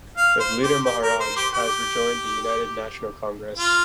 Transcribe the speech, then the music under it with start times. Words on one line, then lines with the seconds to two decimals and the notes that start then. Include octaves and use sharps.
Its leader Maharaj has rejoined the United National Congress.
0.17 F5
0.40 C5
0.63 G4
0.85 G4
1.03 A#4
1.20 C5
1.36 G4
1.53 G4
3.57 F4